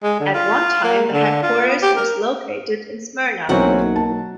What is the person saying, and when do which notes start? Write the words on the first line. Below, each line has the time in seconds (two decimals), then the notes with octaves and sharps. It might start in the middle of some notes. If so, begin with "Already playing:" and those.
At one time the headquarters was located in Smyrna.
0.03 G#3
0.20 D3
0.34 F4
0.84 A#3
1.12 D3
1.43 F4
1.67 B3
1.82 G4
1.97 A#4
3.49 B1 E3 F#3 A#3 C4 C#4 D#4 F#5
3.96 A5